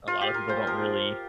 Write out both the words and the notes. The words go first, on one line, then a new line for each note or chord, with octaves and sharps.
a lotta people don't really,
F4
G4
A#4
A#2 C5
F3 A#4